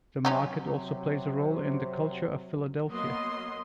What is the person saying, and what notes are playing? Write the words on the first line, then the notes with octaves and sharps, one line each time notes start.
The market also plays a role in the culture of Philadelphia.
C3 F#3 C#4 D#4 F#4
F#3 A#3 B3 D#5 C6